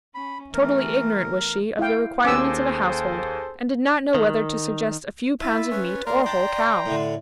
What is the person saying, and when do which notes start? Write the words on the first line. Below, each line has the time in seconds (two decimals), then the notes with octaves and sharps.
Totally ignorant was she of the requirements of a household; and did not know whether to suggest a few pounds of meat or a whole cow.
0.15 C#4 B5
0.53 E3 A3 B3 A#4
1.79 E4 F5 G5
2.25 D#2 C#4 G#4 A4 C5 G#5 D6 E6
4.15 D#3
5.41 E4 F4 E5
5.71 C#4 B4
6.07 A#3 A#4 D5 C6
6.26 D4 G5 A#5
6.86 A2 D3